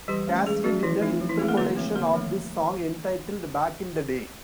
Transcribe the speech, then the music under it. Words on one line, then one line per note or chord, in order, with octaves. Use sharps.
Cassidy did an interpolation of this song entitled "Back in the day".
E3 G3 G4
A3 C#4
E3 G#3 G#4
F#3 A3 C#4 F#4
E3 F3 E4
A3 C4 D#4
F3
E3 E4
G#3 A3 C4 G#4
A#3 A#4
D3 B3 B4
F3 A3 C4
D3 A#3 A#4
F3 A3